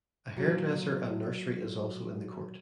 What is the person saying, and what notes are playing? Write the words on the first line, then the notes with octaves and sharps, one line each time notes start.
A hairdresser and nursery is also in the court.
A#2 F#3